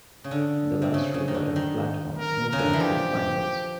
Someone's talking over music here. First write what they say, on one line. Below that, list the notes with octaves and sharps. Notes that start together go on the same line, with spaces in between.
The last robot on the platform moved on to the finals.
C#3
D3
C3
C#3
C#3
D#3
D3
D#3
A#4
C#3 A#4
D3
D#3
E3
F3 G4